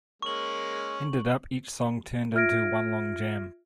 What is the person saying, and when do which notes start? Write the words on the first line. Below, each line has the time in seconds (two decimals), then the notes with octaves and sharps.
Ended up each song turned into one long jam.
0.22 G#3 A#3 C#4 C#6 F#7
2.34 F4 E5 F6 G#6 A#6 D7